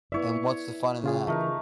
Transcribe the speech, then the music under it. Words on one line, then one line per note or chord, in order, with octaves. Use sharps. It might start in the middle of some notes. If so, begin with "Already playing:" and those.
And what's the fun in that?
B3 E4 C#5 D5 E5
C#3 F4 G#4
E3 A3 D#4 A#4